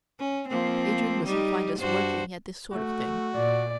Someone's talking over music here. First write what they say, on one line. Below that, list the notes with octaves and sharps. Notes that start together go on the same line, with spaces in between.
Adrian mustn't find us working at this sort of thing.
C#4
F3 A#3 C4
G3 D#4 G4
G2 F#4 C5
A3 F#4
A#2 D5